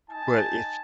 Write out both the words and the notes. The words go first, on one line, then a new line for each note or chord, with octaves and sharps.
but y
D#4 G#5 A5